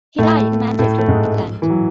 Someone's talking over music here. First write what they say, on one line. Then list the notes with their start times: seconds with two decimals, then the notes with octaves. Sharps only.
He died in Manchester, England.
0.18 A2 A3
0.79 A2 A3
0.98 A3
1.08 G#2 G#3
1.62 E3
1.70 F#3